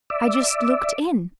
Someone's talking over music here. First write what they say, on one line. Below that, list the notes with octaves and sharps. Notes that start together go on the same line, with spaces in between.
"I just looked in."
D5 E5